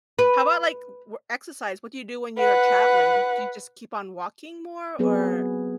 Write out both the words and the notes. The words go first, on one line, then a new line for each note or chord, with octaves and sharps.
How about, like, w exercise? What do you do when you're traveling? Do you just keep on walking more? Or
B4
B4 F#5
F#3 B3 C4 G#4 B4